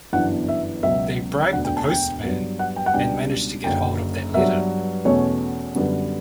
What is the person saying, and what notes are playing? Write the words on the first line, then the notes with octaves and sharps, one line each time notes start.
They bribe the postman and manage to get hold of that letter.
G1 F#2 E3 B3 D4 F#5
E5
C#2 B2 F#3 E5
E1 D2 D3 F#5
G5
A5
G5
G2 F#3 B3
F#5
G5
F#5
C#2 B2 G3 D4 G5
F#1 F#2 D3 F#3 G5
G2 F#3 B3 E5
E2 B2 A3 C#4 C#5
F#2 D3 G3 B3